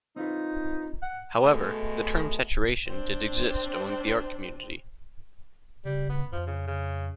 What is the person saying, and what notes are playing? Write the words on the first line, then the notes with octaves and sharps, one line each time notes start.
However, the term saturation did exist among the art community.
C4 D#4 F4 B4
F#5
B2 G#3 A3
C4 D4
C#3 G3
B3
F2 F3
C#3
C#3